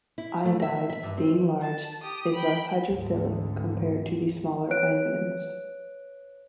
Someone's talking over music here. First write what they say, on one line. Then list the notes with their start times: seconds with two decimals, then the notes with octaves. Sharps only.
Iodide, being large, is less hydrophilic compared to the smaller anions.
0.18 E4
0.45 A3
0.62 E5
0.89 E5
1.03 G2
1.17 C4
1.61 A5
2.01 G4 D#6
2.34 G5 B5
2.89 G#1 D2 D3
4.70 B4 C#5 F#6 D7